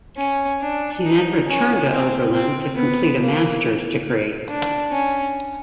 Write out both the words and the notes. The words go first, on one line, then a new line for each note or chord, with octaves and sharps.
He then returned to Oberlin to complete a master's degree.
C#4
D4
D#4
C#4
C4
C4
B3
A#3
D4
C#4